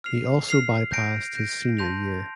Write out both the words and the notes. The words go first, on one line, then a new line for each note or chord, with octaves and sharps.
He also bypassed his senior year.
F6 C7 F7
F6 C7 F7
G6 A#6 D7
G6 A#6 D7
A5 C6 G6 A#6 F7